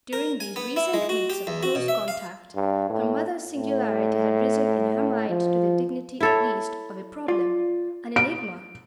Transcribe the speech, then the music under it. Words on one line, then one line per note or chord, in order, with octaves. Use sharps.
During these recent weeks of close contact, her mother's singularity had risen in her mind to the dignity at least of a problem, an enigma.
A#4
G#5
B3
E4
G#3
F#4
G4
E2
F#4
B2
E5
F5
G2
A2
A2
F3
E4 A4 C#5
F4 D5
D7